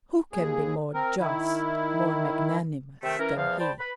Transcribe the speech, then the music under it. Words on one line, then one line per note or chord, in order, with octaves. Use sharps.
Who can be more just, more magnanimous than he?
D#2 G#4
C4 A#4
D#3 E4
C3 D#3 A3 E5 G5
E3 C#4 A#4
E2 F3 F5
C5 D5 G5 A5 B5
B4 B5